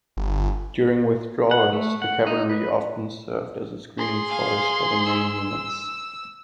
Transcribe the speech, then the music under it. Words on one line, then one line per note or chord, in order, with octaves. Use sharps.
During withdrawals, the cavalry often served as a screening force for the main units.
G1
F#5
A3
F#5
D#4
B4
G#4 C6
F5 G#5
E6